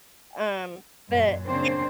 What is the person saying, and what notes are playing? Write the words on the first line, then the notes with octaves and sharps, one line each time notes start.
Um, but, yeah.
F#2 A#2
C#3 A#3 C4 D4 C5